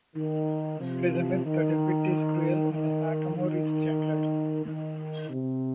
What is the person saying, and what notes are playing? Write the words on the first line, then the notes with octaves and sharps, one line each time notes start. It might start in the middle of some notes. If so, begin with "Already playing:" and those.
It is a myth that a bit is cruel and a hackamore is gentler.
D#3
C3 F3
D#3
D#3
D#3
D#3
C3